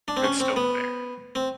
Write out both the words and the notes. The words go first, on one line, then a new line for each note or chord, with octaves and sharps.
It's still there.
D4
C4
C#4
C4
B3
C4